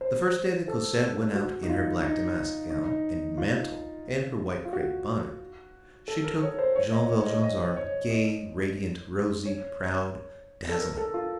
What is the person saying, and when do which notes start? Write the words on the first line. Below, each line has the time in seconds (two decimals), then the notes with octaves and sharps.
The first day that Cosette went out in her black damask gown and mantle, and her white crape bonnet, she took Jean Valjean's arm, gay, radiant, rosy, proud, dazzling.
0.01 C5
0.68 A4
1.35 F#4
1.63 D#4
1.69 F4
2.03 D#4
2.70 D#4
2.84 D#4
3.38 F4
4.65 F4
4.73 F#4
6.08 A4
6.24 A#4
6.42 C#5
6.59 C5
6.76 C#5
6.92 D#5
7.09 C#5
7.20 C#5
7.26 D#5
7.43 D#5
7.77 C#5
8.10 D#5
9.45 C#5
10.69 A4
10.80 A#4
10.97 A4
11.14 F4